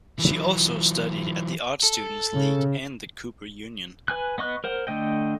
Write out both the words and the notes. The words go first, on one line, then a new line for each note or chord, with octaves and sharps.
She also studied at the Art Students League and the Cooper Union.
E3 F#3
A4
C#3
B4 G#5 F#6
B3 D#5 C#6 F#6
A#4 C5 F#5
D3 A3 D#5 G5